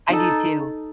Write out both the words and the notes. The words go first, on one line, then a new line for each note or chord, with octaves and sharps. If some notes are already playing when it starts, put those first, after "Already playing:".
I do too.
D#4 A4